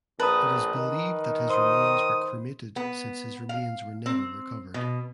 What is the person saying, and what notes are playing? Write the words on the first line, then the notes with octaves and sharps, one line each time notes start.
It is believed that his remains were cremated since his remains were never recovered.
A#1 B4 A5 A#5 D#6
D#3
C5 C6 D#6
B3
F5
C4
B2